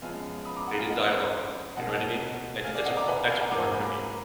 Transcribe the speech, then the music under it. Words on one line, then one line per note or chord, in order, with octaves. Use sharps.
They didn't die alone. You know what I mean? And I think that's a po that's important for people.
F#2 F3 G#3 B3 F5 G#5
B5 D#6
A#5 D6
F#5 A#5
F5 G#5
D#5 F#5
B2 F#3 A#3 D#5 F#5
F5 G#5
D5 F5
D#5 F#5
A#5 D6
G#5 B5
F#5
F5 G#5
F#5 A#5
G#2 F#3 A#3 A#5 D6
A#5 D6
G#5 B5
A#5 D6